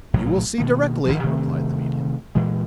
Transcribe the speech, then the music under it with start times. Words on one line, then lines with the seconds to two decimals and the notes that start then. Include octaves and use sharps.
"You will see, directly," replied the medium.
0.14 A#1 A2 C3 F#3
0.58 B2 D#3 A#3
1.05 G#1 E2 D#3 F3
1.23 C3 D#3 A3 C4
2.35 A#2 E3 G#3